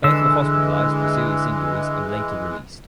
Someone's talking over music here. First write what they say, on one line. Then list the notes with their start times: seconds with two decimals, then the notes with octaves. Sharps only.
Both were hospitalized for serious injuries and later released.
0.04 D3 E3 G#3 E6